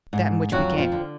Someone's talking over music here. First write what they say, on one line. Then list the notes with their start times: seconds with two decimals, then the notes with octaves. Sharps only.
"That in which we came."
0.13 G#2
0.52 F2 F#3 F#4
0.78 F3 F4
0.92 D3